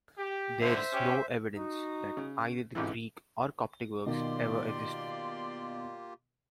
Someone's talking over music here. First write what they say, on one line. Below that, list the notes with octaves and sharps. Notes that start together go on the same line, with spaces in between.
There is no evidence that either the Greek or Coptic works ever existed.
G4
C#2 A2 D3 C5 E5
C#4 G4
D#4 F#4
C#3
A1 G#2 E3 C4 F4 G4
B2 D#3 A#3 F4 G4 D5 C6